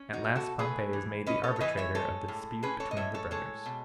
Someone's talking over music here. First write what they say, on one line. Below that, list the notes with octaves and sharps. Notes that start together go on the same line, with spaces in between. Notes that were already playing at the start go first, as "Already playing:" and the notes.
At Last Pompey Is Made The Arbitrator Of The Dispute Between The Brothers.
Already playing: C#4
D#4 F#4
B2
F#4 A4
A3 G#4 B4
E3
C#4 B4 D#5
A4 C#5
C#5
E3 B4 D#5
C#5 E5
G#3 A4 C#5
A2
C#4 G#4 B4
A4 C#5
D#5
A2 C#5 E5
A4 C#5
G#3 A4 C#5
B2